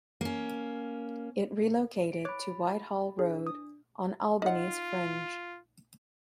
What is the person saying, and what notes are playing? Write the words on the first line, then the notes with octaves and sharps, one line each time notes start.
It relocated to Whitehall Road on Albany's fringe.
A#3 C#4
D7
C#5 B5 D6 F#6 A6
D4 G#4
D#6
D#4 F4 F#5